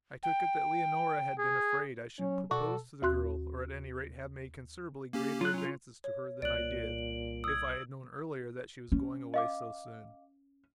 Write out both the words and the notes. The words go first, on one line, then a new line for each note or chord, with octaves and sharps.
I took it that Leonora had been afraid I should propose to the girl or, at any rate, have made considerably greater advances to her than I did, if I had known earlier that she was going away so soon.
G5
G#4
F#3 C#4
B2 F#4 A4 D5
D#2 F#4 C6 F#6
A#3 C#4 G4
F#3 F4 F#6
C#4 F4
C#5
C2 A#2 D5 F#6 D7 F#7
D#6 E6 G#6
C#4
D#5 F5 D6